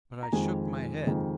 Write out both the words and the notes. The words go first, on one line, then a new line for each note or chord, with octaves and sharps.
But I shook my head.
A#5
F2 D#3 G#3 G#5
F2 D#3 G#3